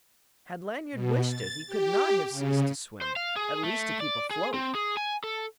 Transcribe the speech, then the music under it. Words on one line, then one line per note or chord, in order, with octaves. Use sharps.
Had Lanyard wished it he could not have ceased to swim, at least to keep afloat.
B2
A6
G4
C#3
C5
F5
G#4
A3
D5
G#4
C4
G#4
G#5
A4